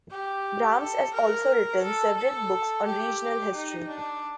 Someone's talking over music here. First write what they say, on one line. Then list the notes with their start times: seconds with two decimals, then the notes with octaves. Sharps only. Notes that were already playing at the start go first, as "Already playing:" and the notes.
Brahms has also written several books on regional history.
0.11 G4
0.80 A4
1.14 A#4
1.82 A4
2.17 A4
2.85 G4
3.54 D#4
3.88 D4